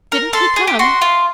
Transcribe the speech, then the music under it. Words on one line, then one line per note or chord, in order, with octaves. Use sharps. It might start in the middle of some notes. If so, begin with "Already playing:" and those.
"Didn't he come?"
A#4
A4 C6
G#4
G4
F#4 C6
F4